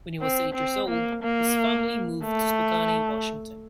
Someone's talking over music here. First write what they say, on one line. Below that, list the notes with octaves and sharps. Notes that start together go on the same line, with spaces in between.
When he was eight years old, his family moved to Spokane, Washington.
C4
C4
A#3
A#3
A3